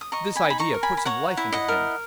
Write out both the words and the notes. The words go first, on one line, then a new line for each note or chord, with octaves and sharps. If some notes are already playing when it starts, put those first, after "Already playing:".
This idea put some life into him.
D#6
D#5 A#5 C#6
G#5 B5
D#4
B5
A#5 C#6
A#4
G#5 B5
B5
C#5 F#5 A#5
E4
D#5 F#5
A#4